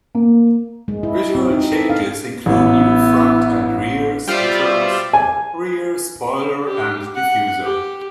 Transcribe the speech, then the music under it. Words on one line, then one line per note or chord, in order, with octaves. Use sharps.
Visual changes include new front and rear splitters, rear spoiler and diffuser.
A#3
G#3
E4
C4
D#4
A4
F5
A1 B3 E4
G3 F4 C5 D5 E5
G#5
G4
F#5
G4